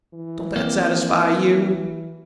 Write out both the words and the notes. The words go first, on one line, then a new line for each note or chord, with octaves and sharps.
Don't that satisfy you?
E3
A#3 C4